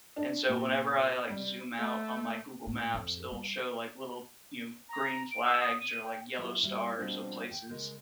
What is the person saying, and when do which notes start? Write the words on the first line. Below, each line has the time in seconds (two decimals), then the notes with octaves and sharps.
and so whenever I, like, zoom out on my Google Maps, it'll show, like, little, you know, green flags or, like, yellow stars of places
0.16 D4
0.49 A#2
1.29 G3
1.78 A3
2.67 A2
2.94 F2
3.31 G3
4.89 A#5
5.31 D7
5.44 E6
5.61 D#6
5.80 D#7
6.03 G5
6.38 F#3 E4 F4 G4 D5
6.62 G3 E4 F#4
6.98 B2 F3 G3 C4 D4 F#4
7.51 G5
7.69 C#3 G#3 A#4